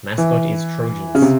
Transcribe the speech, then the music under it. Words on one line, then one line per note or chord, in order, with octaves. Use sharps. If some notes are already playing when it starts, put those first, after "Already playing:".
Mascot is Trojans.
E3
C#3
C3